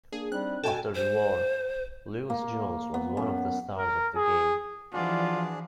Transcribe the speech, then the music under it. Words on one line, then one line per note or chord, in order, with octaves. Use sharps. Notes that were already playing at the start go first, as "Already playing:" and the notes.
After the war Lewis Jones was one of the stars of the game.
A#3 D4 G#4
G3 C4 D4 D#4 F#6
B2 A4 G5 G#5
C5
A#3
B3
F#2
A#4
G#4
E3 F3 D4 F4 F#4 G#4 D5